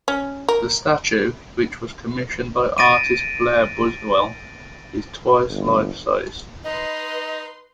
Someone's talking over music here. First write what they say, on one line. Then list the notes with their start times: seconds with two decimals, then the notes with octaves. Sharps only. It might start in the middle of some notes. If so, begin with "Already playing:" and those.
The statue, which was commissioned by artist Blair Buswell, is twice life-size.
0.08 C#4
0.49 A#4
2.78 A6 A#6 D7 D#7
5.49 G1
6.64 D#4 B4 D#5 C6